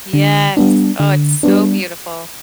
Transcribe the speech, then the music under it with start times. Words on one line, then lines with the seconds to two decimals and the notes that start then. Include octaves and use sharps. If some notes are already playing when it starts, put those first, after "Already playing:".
Yes, oh, it's so beautiful.
0.13 D3
0.57 G3 B3 D4
1.00 D3
1.43 G3 B3 D4